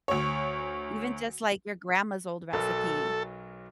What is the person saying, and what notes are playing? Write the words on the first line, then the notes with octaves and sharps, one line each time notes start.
Even just, like, your grandma's old recipe.
D2 C#5
B1 F#3 A4 A#4